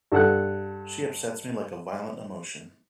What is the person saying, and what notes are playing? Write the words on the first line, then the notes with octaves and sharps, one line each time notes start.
She upsets me like a violent emotion.
G2 A4 F#5 F#6